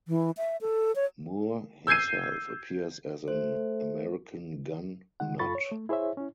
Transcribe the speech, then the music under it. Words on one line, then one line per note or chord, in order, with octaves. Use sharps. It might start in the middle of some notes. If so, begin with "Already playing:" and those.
Moore himself appears as an American gun nut.
E3
E5
A4
C#5
E6 G6 G#6 C7 D#7
A3 C5
D#3 G#3 D#4 F#5
F#2 F4 A4 B5 C#6 A6
C#5
A3
E4 G#4 C5 C#5 E5
C#4 E4